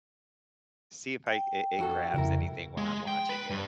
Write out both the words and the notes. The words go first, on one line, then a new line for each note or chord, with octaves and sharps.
see if I it it grabs anything while I'm watching it.
G5
F2 F#4 A4
C2 F2 C#3 E4 A#4
G#3
G5
B4
G2